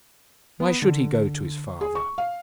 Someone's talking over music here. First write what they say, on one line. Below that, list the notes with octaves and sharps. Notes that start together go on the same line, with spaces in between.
Why should he go to his father?
B3
D3
G#4
C#6
F5